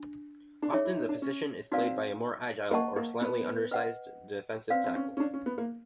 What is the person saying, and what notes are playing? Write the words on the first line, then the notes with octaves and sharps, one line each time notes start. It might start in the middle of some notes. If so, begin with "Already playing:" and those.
Often, the position is played by a more agile or slightly undersized defensive tackle.
Already playing: D4
D4
D#4 G#4 C#5 E5
E4
D#4
D4
C#4
C4 D#4 F#4 B4 D5 F5
A#3 C5 D#5 F#5 A5 C#6
A#3
B3
B4 D#5 F#5
C4 B4 D5 F5
C4
C#4
C#4
D4
C#4
B3
A#3